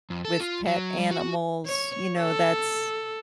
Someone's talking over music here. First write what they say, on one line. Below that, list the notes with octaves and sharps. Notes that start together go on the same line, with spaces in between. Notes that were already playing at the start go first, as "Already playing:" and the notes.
with pet animals, you know, that's
F2
A4
F4
F#3
G3
F#4
C#5
A4